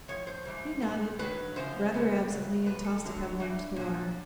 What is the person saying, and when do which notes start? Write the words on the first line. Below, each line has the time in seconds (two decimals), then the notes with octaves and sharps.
He nodded, rather absently, and tossed a pebble into the water.
0.08 A2 F3 C#5
0.27 C5
0.45 G#2 E3 G3
0.82 A#2 G3
1.19 G2 D#3 F#3 B4
1.56 F#2 C#3 F3 C5
1.92 F#2 C#3 F#3
2.29 E2 C#3 F#3
2.66 A#2 F3 B4
2.84 A4
3.03 F#2 D3 F#3
3.40 G2 E3 G3
3.76 A#2 F#3